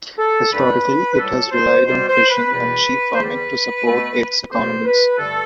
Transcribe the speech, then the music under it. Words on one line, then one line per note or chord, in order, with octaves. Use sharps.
Historically it has relied on fishing and sheep farming to support its economies.
A4
G2 D3 A3 B4
B4
A2 G3 A4
C5
B2 G3 C5
C5
B4
E2 B2 G3 B4
C5
E2 D3 G3 B4
B2 A3
E2 B2 G3 C5
B4
G2 D3 A3 A4